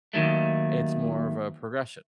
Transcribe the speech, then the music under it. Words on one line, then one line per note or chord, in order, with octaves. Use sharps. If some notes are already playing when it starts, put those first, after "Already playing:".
It's more of a progression.
D#2 A2 D#3 F#3 A3